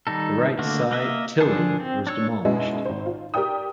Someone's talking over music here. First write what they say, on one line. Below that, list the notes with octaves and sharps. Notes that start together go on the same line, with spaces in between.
The right-side Tillie was demolished.
D#3 G3 D#4 A4
D3 A3 A#3 F#4
A#3 D#5 E5
D3 F3 D4 G#4 A4
C4
D4 C#5 E6
F#2 B2 G#3 B3 D#4 E4
G#1 C5
F4
G4 A#4 D5 G5 D#6